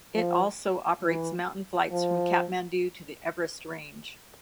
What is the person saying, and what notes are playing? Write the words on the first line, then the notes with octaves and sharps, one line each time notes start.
It also operates mountain flights from Kathmandu to the Everest range.
F3
E3
F3